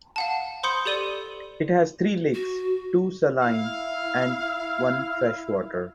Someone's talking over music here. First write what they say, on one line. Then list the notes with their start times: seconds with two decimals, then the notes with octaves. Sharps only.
It has three lakes, two saline and one freshwater.
0.16 F5 F#5 A5
0.63 C5 B5 C6 D#6 G6 C#7
0.86 G4 A4 D5 D#7 G7
2.34 F#4
3.42 E4 F5